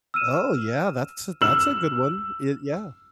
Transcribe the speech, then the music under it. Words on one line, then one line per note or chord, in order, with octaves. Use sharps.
Oh yeah, that's a that's a good one, eh Yeah,
E6 F6 D#7 E7
E6 F6 E7 F#7